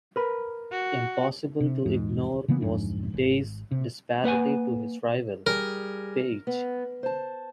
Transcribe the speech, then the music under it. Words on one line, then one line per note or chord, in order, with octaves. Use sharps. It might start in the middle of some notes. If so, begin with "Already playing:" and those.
Impossible to ignore was Day's disparity to his rival, Paige.
A#4 B4
F#4
C3
E2 G#2
C#3 E3 A#3 B3
D1 F2 G#2 D4
G#1
C3
A#3 B4 F#5 G#5
G3 G#4 A#4
B3
C5 A5